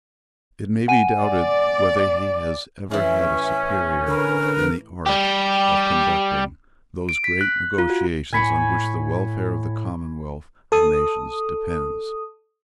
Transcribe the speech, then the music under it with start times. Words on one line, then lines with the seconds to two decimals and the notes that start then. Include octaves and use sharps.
It may be doubted whether he has ever had a superior in the art of conducting those great negotiations on which the welfare of the commonwealth of nations depends.
0.88 F#5 G#5 D#7
1.21 D5
2.91 A2 E3 C#4 E5
4.08 D3 A#4 B4
5.07 G3 G4
7.09 D7
7.24 B6
7.41 F#6
7.78 F4
7.90 F#4
8.33 A2 G#5 B5 C#6
10.72 A4 D#6